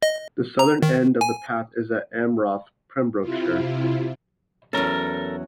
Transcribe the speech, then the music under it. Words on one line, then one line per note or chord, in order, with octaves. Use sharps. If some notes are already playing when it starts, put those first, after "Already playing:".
The southern end of the path is at Amroth, Pembrokeshire.
D#5
A#5
D#3
G#5
C3 E4 F4
E2 F#3 C#4 A4 A#4